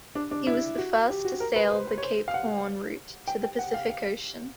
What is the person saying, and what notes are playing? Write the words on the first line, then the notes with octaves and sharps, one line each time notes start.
He was the first to sail the Cape Horn route to the Pacific Ocean.
D4
D4
E4
F#4
G4
F#4
A#4
B4
C5
C5
C#5
C5
F5
F#5
G5
G5
F#5
F5
F5